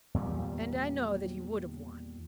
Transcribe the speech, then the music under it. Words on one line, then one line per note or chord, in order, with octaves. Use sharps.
And I know that he would have won.
E2 A#2 D#3 G3